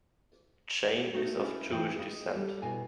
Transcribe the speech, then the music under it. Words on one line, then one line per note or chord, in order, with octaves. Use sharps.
Jayne is of Jewish descent.
A3 B3 D#4 F#4 A4
A3 C#4 E4 G#4
E3 C4 G#4 C5 E5
G#4 D#5
G3 A4
B2 E4 G#5